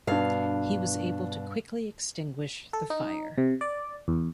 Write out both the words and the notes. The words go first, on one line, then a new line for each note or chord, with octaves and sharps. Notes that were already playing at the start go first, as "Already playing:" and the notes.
He was able to quickly extinguish the fire.
G2 B2 D4 F5
A4
D#4
C3
D5
E2